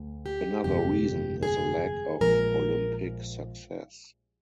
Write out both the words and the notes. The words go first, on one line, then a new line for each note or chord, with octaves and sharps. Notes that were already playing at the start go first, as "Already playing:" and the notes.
Another reason is the lack of olympic success.
Already playing: D2
G4
G1 F2 C3 F3 G#3 G4
G#4
A#1 A#2 F3 G#3 A#4